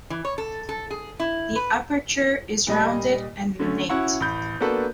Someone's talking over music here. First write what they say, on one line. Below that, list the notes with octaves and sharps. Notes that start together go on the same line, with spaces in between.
The aperture is rounded and lunate.
E3
C#5
A4
A4
G#4
E4
B4
A#2 G3 D#5 B5
D3 A3 C#4
C#4 E4 F#4 F#5 C#6
A1 B5 G6
A#3 B3 D4 F#4 A4 B4